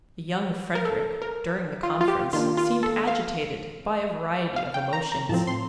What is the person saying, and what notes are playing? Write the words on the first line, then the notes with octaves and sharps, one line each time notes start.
The young Frederick, during the conference, seemed agitated by a variety of emotions.
A#4
A4
A#4
F4
F4
G4
D#3 A#3 D4 F4
F4
A4
F5
F5
G5
A#5
A#5
A2 F3 C4 A5
C6